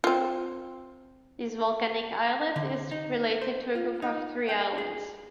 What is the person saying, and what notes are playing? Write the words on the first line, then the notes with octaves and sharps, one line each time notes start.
This volcanic islet is related to a group of three islands.
C4 F4
D3
D#4
C5
F4
D#4
G5
G#4